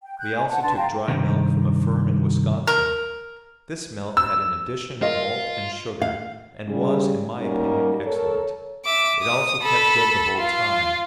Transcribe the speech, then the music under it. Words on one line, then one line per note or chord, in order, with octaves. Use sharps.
We also took dried milk from a firm in Wisconsin; this milk had an addition of malt and sugar, and was, in my opinion, excellent; it also kept good the whole time.
G5
F#6 G6
G#5
F#5 A5
D4 B4 A5 C6
F5 G5 A#5
G2 C3 D#3
A#4
E6
F4 A#4 D#5
F5
C#3 G3
G3 A#3 C#4 D#4 F#4 A#4
A4 A#4 C#5
E5 D6
D#6
A4 B5
F4